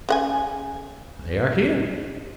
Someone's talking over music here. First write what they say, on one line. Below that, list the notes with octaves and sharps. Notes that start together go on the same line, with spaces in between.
"They are here."
C#3 F#5 G#5